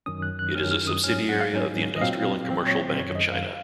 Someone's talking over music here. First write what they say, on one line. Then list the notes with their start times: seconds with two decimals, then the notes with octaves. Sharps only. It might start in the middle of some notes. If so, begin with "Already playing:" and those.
It is a subsidiary of the Industrial and Commercial Bank of China.
0.06 F#2 D#3 F#3 C#4 D#6
0.22 F#6
0.39 F#6
0.55 F#2 D#3 F#3 C#4 F6
0.71 F6
0.87 D#6
1.03 G#2 F#3 C#4 F6
1.29 F#5
1.41 F5
1.52 G#2 F#3 C#4
1.96 D#5
2.01 A#2 F#3 C4 F5
2.50 A#2 F#3 C4
2.67 C#5
2.83 C5
2.99 F#2 D#3 F#3 C#4 C#5
3.15 D#5
3.32 F5